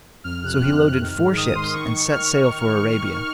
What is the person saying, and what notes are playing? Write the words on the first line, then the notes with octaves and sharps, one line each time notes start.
So he loaded four ships and set sail for Arabia.
F2 F6
C3 F#6
C3 F6
F2
D#3
G#2
D#3 D#6
D#3 C6
D#3 C#6
D#3
F6